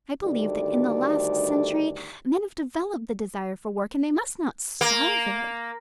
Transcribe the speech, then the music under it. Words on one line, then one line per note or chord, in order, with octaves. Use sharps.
I believe that in the last century men have developed the desire for work, and they must not starve it.
D2 G2 D#3 G4 A4 D5
A#3